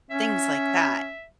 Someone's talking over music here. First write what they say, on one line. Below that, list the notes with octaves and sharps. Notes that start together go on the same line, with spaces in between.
things like that.
C#4 E5